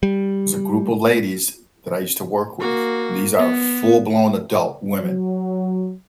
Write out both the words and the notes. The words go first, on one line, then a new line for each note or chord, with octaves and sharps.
there's a group of ladies that I used to work with. These are full blown adult women.
G3
A#3 F#4
B3
F#3